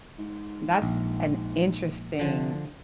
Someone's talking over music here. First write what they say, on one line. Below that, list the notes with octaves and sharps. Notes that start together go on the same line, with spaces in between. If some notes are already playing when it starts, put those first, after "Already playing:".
That's an interesting
G#2
A#1
D3 F3